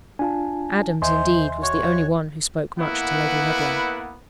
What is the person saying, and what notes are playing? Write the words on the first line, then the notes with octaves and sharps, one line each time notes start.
Adams, indeed, was the only one who spoke much to Lady Ludlow.
D4 F4 G#5 A5
D#2 C5 D#5 E5 G#5 C6
F#4 C#5
A#3 B3 E4 B4 F#5